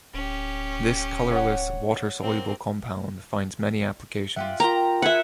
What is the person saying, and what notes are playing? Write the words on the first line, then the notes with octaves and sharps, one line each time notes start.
This colorless, water-soluble compound finds many applications.
D1 C#4 G4
C#5 F#5
A#3 C4
F4 G4 E5 F#5
F4 G4 A#4 G5 A#5
B3 G#4 E5 F#5 G#5